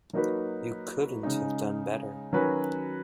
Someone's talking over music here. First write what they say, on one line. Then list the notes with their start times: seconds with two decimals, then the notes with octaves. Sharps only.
You couldn't have done better.
0.13 F#3 A#3 D#4 F#4 B4
1.23 C#3 G#3 D#4
2.33 D#3 F#3 C#4 F#4 B4